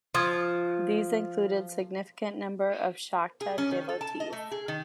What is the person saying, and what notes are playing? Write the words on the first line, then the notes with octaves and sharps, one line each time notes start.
These included significant number of Shakta devotees.
F3 C6 D#6 G#6
G#4
C#4
D#3
A4
A5
D#5
A3
G#4
D#3